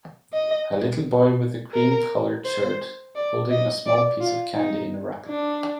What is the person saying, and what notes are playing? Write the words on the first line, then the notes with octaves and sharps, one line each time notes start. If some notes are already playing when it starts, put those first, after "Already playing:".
A little boy with a cream colored shirt holding a small piece of candy in a wrapper.
D#5
A#4
C5
D5
D#5
D5
F4
D#4
D4